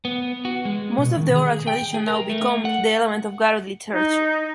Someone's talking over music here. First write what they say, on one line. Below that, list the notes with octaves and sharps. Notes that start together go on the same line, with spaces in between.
Most of the oral tradition now become the element of Garo literature.
B3
F#4
G#3
B2
D#3
G#4
G5
G#4
A#4
A3
F#5
D#4